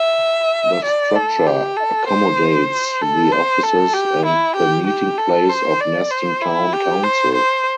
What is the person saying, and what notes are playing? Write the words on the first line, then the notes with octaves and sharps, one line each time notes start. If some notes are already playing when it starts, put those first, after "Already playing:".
The structure accommodates the offices and the meeting place of Neston Town Council.
Already playing: E5
D5
A4
G4
A4
C5
A4
C5
A4
G4
E4
G4
G4
A4
C5
D5
C5
E4
G4
C5
C5